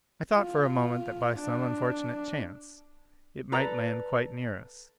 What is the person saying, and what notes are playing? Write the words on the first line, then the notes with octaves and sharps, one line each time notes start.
I thought for a moment that by some unfortunate chance it might land quite near us.
F4
D4
A4 B4 D5 A#5